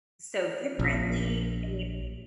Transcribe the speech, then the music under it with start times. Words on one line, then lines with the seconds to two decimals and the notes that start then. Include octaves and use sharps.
so differently," and you
0.79 A#1